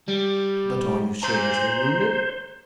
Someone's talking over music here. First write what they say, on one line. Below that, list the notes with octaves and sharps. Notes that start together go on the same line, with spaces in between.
But are you seriously wounded?
G3
C5 A#5 C6